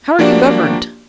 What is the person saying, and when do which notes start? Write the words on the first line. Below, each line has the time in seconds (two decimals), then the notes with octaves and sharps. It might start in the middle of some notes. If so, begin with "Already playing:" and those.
How are you governed?
0.19 F3 A#3 D4 F#4 G4 D5